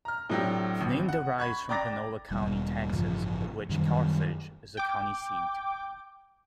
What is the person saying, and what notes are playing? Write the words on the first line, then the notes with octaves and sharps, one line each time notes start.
The name derives from Panola County, Texas, of which Carthage is the county seat.
A#5 F6
A2 C3 F#3 D4 G4
G#1
F#5
B5 C#6 G#6
D5 G5 A#5 D6 A6 A#6
E1 G3
A1 G2 C#3 F3
F#2 D#3 G3
G5 D6